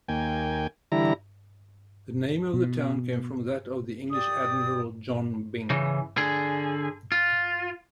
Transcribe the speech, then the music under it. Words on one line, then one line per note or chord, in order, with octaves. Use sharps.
The name of the town came from that of the English Admiral John Byng.
D#2 A#3 G5 G#5
D3 E3 G3 E4 A#5
B2
G4 D5 D#6
C#3 E3
D3 G#4
F4